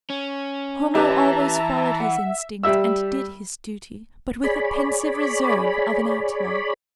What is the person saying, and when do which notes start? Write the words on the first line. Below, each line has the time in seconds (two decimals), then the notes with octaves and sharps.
Homo always followed his instinct and did his duty, but with the pensive reserve of an outlaw.
0.10 C#4
0.95 E3 G4 B4 D#5 E5 A5 A#5
2.00 E5 F#5
2.63 G3 E5 E6
4.44 G#4 C#5 D5 B5